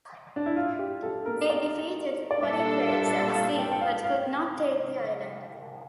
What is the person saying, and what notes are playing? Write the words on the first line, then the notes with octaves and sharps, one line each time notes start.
They defeated Polycrates at sea but could not take the island.
D4
E4
F4
G4
A4
A#4
D5
D5
A#2 G3 D4 A4 E5
E5
F5
G5
G5
F5
F5